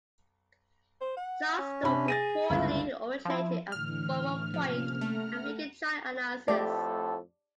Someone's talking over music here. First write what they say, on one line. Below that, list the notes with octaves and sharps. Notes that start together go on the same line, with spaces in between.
Charles Dow reportedly originated a form of point and figure chart analysis.
C5
F#5
C#4
C3 D4 B5
G#4 A6 A#6 D#7
G1 C#2 E4
F3 E4
A2 D3 E3 F6
C3 F3 A#3 C#4
A3 F#5 A#5
F2 A2 A3 G4 A4 D5